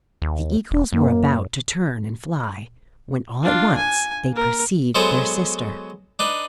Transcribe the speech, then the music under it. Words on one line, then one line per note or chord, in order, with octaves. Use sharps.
The eagles were about to turn and fly, when all at once they perceived their sister.
D#2
E1
F#2 A#3
D4 F4
G#5
A#3 A#4
F#3 G#3 B3 A4 C5 C#5
D4 D#4 B4